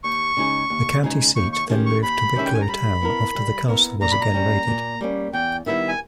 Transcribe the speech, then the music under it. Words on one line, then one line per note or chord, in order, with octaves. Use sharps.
The county seat then moved to Wicklow town after the castle was again raided.
D#2 C#6
C#3 G#3 D#4 G#4
D#2
C#3 G#3 D#4 G#4
D#2 C#6
C#6
D#3 G#3 C#4 G4
C#6
D#2 B5
D#3 G#3 C#4 G4 E5
G5
G#5
A#5
G3 B5
B3 E4 A#4
G3
B3 E4 A#4
A#2 A#5
B5
A#5
G3 A#3 C#4
A#2
G3 A#3 C#4
E2 G5
D#3 G3 B3 E4 E5
G#5